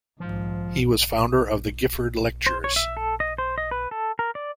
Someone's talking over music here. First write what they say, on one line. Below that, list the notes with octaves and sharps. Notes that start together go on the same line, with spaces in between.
He was founder of the Gifford Lectures.
G#1 G#2 F3
C5
C#5
E5
A4
D#5
C5
D#5
B4
A4
A#4
D5